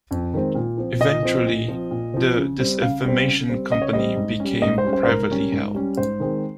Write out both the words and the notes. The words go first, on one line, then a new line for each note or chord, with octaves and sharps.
Eventually, the Disinformation Company became privately held.
F2
D#3 G#3 C4
A#2
F3 C4
A#2 D#5
F3 C4
A#2
F3 C4
A#2
F3 C4
C#3
G3 C4
C#3 F5
G3 C4
C#3
G3 C4
C#3 D#5
C#5
G3 C4 D#5
G#2
G3 C#4
G#2 D#5
C5
G3 C#4
C5
C5
G#2 A#4
G3 C#4
G#2
G3 C#4
G#2 C5
D#3 G#3 C4